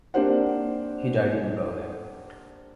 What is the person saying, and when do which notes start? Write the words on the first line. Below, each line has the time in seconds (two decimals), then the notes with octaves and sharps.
He died in Berlin.
0.14 A#3 C4 D4 G4 C5 F#5